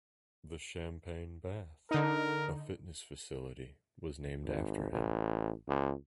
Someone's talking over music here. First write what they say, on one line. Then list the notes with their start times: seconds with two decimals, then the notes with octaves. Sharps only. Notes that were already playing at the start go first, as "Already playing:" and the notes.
The Champagne Bath, a fitness facility, was named after him.
1.91 D3 D#4 A#4
4.44 G#1
4.91 A1
5.68 C#2